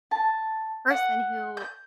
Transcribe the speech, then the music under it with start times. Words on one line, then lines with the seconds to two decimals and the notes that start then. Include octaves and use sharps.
person who
0.11 A5
0.90 F#5
1.57 G6